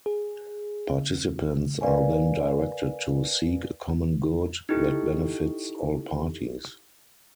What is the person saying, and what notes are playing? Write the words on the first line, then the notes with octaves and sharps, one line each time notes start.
Participants are then directed to seek a common good that benefits all parties.
G#4
A#4 B4 D5 F5 G#5
D#4 E4 G4 A4